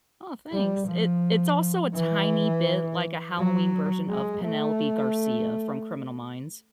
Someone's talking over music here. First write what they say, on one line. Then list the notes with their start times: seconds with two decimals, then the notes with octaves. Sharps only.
Aw thanks. It it's also a tiny bit like a Halloween version of Penelope Garcia from Criminal Minds.
0.52 G3
0.87 F3
1.95 E3
3.37 F#3
4.09 G#3
4.45 A3